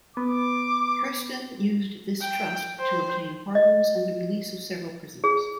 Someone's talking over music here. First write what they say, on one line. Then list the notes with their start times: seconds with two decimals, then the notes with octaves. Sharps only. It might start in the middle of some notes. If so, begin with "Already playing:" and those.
Kersten used this trust to obtain pardons and the release of several prisoners.
0.17 B3 D6
2.21 G5
2.80 C5
3.55 D#5
5.24 G#4